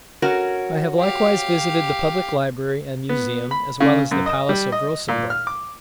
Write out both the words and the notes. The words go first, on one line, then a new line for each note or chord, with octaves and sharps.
I have likewise visited the public library and museum, as well as the palace of Rosembourg.
C#4 F#4 A#4
G4 F5
B3
B5
C#3
F#2
D#5
G3
D#5
A#2
F6
D6